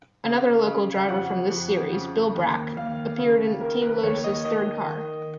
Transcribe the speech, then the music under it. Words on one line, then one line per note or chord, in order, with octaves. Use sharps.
Another local driver from this series, Bill Brack, appeared in Team Lotus's third car.
C#3 F5
C#3
F2 F#5
F2
C#3
D#2
D#2 F5
C#3
D#3 A#4
B4
D#2 C#5
D#5
D#3 D#5
D#3